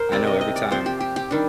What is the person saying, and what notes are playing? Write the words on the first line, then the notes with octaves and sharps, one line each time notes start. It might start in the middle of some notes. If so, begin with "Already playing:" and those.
I know every time
Already playing: A#4 C5
C3 G3 C4 D5
D#5
D#5
D5
F3 C4 C5
G4
G4
G4
D#3 G3 D4